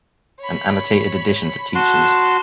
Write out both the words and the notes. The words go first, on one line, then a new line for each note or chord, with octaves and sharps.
An annotated edition for teachers.
C#5 B5
F#4 A5 C6